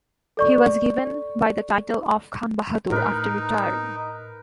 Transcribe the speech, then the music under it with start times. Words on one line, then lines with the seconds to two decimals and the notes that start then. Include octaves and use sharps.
He was given by the title of Khan Bahadur after retiring.
0.37 A4 D5 C#6
2.92 A2 D#4 A#4 B4